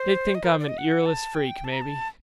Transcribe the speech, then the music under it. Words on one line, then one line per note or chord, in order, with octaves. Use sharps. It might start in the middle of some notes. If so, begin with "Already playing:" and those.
They think I'm an earless freak, maybe.
Already playing: C5
D#5
A#4
C5
D5
D#5
F#5
A5
G5
A5
A#5
A5